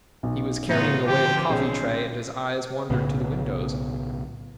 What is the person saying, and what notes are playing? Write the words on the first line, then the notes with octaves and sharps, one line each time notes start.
He was carrying away the coffee tray and his eyes wandered to the windows.
B1
A2 C#3 B3 D#4 F4
D3 F3 G4
B1 C4 C#4 G#4
B1 A2 C#3 B3